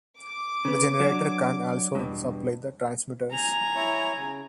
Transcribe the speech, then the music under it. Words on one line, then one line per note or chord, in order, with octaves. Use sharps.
The generator can also supply the transmitters.
D6
C#3 B3
F#3 D4
E2 G2 B2
G#5 A#5 F7
E4 C#5
C#3